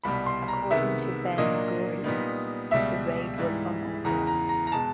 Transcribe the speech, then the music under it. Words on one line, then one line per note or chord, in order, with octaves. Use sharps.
According to Ben-Gurion, the raid was unauthorised.
C2 B2 G3 B5
C6
A#5
C3 D#3 G#3 B3 E5
A#2 F#3 A#3 D4 D#5
A#2 G3 B3 D#4
C#2 B2 G3 E5
G#2 E3 G3
E2 C#3 E3 A#5
A#5
A#5
A#5
B2 G#3 A5